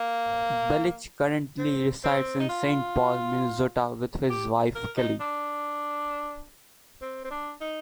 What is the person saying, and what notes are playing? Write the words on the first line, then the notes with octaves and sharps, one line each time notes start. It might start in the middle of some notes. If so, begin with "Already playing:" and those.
Belich currently resides in Saint Paul, Minnesota, with his wife Kelly.
Already playing: A#3
C4
C4
D#4
F4
G4
A#4
D#4
D4
C4
C4
D4
D#4